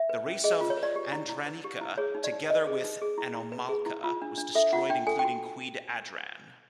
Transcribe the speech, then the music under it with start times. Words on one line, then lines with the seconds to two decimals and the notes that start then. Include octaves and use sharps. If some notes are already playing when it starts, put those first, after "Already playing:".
The Race of Adranika together with Anomalka was destroyed including Queen Adran.
Already playing: E5
0.09 B4
0.26 C#4
0.44 G#4 D#5
0.61 F4
0.70 C#5
0.77 B4
0.83 D5
0.96 G4
1.12 E4
1.29 E4
1.46 B4
1.64 G4
1.81 E4
1.98 G#4 C#5
2.15 D#4
2.24 D5
2.32 D#4
2.49 B4 D#5
2.67 G#4
2.84 D#4
3.02 G#4
3.18 E4
3.35 E4
3.52 B4
3.69 G#4
3.86 E4
4.04 F4
4.22 D4
4.38 D4
4.55 A4 E5
4.73 F4 F#5
4.90 D4 G5
5.07 A4 G#5
5.19 G5
5.25 F#4